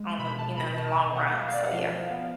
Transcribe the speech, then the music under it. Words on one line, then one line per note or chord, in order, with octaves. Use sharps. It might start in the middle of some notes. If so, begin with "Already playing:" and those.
on the, you know, in the long run, so yeah.
Already playing: G#3
B2 B5
A5
B2 B5
A5
B2 G#5
F#5
B2 F5
F5
D5
F#5
F3 F5
B3